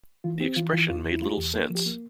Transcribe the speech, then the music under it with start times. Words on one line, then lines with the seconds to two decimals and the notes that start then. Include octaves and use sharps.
The expression made little sense.
0.24 E3 F4
0.40 C4 G4
0.56 E3 F4
0.73 E3 F4
0.89 E2 F4
1.05 E2
1.12 E4
1.21 A3 F4
1.32 G4
1.37 E2
1.54 A#3 A4
1.70 F3
1.75 G4
1.86 A#3